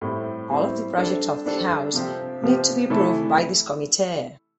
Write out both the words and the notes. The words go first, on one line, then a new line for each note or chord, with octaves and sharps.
All of the projects of the House need to be approved by this committee.
A2 G3 C4 E4
A2 G3 C4 E4
G3 D4 A4 C5
G3 D4 A4 C5
C3 F3 C4 G4
C3 F3 C4 G4
C3 E3 A3 E4 A4